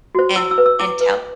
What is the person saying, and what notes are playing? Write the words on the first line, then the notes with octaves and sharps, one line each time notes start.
and and tell
F#4 C5
E4 E6
E6
B4
E6
E4 D6
B4